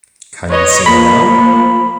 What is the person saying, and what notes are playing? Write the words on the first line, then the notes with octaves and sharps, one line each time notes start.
Can you see me now?
B4 C#5 D#5
F3 A#3 B5